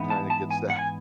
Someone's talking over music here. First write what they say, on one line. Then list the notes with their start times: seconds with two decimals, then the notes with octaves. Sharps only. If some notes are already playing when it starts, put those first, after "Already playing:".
kinda gets that
Already playing: G#2 E3 B3
0.10 A5
0.30 A5
0.51 G#5
0.70 F#5
0.79 G#5